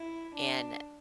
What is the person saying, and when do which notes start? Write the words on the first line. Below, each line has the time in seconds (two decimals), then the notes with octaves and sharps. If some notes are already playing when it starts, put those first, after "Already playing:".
And, eh,
Already playing: E4
0.34 D4